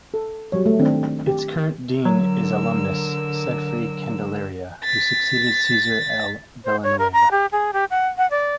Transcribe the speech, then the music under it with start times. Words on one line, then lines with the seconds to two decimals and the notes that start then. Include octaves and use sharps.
Its current Dean is alumnus Sedfrey Candelaria who succeeded Cesar L. Villanueva.
0.14 A4
0.52 F#3 G3 C#5
0.66 A3
0.79 D#3 C4 D4
1.27 G4
2.05 D3 F#3 A#4 E6
4.84 A6 B6
6.65 C5
6.83 C#5
6.99 A#4
7.13 A#5
7.31 G4
7.52 G#4
7.73 G4
7.90 F#5
8.18 F#5
8.31 D5